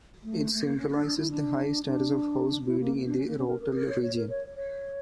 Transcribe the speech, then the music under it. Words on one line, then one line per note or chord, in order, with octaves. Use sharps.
It symbolizes the high status of horse breeding in the Rottal region.
A3
A3
A#3
C#4
D4
D4
E4
D4
D4
E4
A#3
D4
C#4
A#3
C#4
A#4
A#4
A#4
C#5
C#5
A#4
C#5
C#5